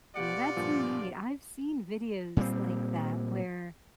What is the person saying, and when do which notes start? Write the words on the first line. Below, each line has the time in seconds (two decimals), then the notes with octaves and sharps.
Yeah, that's neat. I've seen videos like that where
0.16 B2 F4 G4 D5 F#5 C#7
0.57 G2 A#2 F3 D4
2.37 A#2 G3 C4